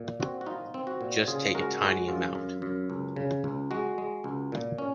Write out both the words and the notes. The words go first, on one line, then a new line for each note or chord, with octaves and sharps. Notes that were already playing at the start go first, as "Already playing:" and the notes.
Just take a tiny amount.
Already playing: A#2
C4 F#4
F#4
D#4 F4
C4
F#4
A#2
C#3 F4 G#4
G#3 F#4 A#4
G#3 F#4
F#2 F4
F#2
F#2
C#2
C#3
C#2
G#3 F#4
G#3
C#2
A#2
C#4